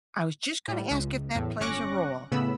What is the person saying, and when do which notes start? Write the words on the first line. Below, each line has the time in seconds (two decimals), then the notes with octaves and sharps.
I was just gonna ask if that plays a role.
0.68 A2 G3
0.91 C#2
1.35 E2 A2
1.60 G1 C#4 C#6 D6 F#6 A#6
2.32 A2 C#3 B3 B5 E6